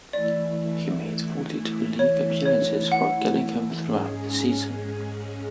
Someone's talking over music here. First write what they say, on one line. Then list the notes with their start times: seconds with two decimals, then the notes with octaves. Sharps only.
He made forty-two league appearances for Gillingham throughout the season.
0.13 E3 A3 E4 D5
1.99 C#5
2.46 C#5
2.92 F#5
3.85 G#2 G#3 C#4 G#4